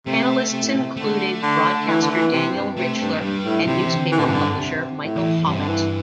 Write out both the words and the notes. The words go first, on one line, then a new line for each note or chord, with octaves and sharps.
Panelists included broadcaster Daniel Richler and newspaper publisher Michael Hollett.
C3 A3
C3
A2
C3
D3 A3
D3
E3
D3
E3
C3
G2
C3 A3
G2
G2 G3
A2
C3 E3
D3
E3
D3
E3
A2 D3
G2 C3
D3
C3
A2
E2
G2 C3
D3
E3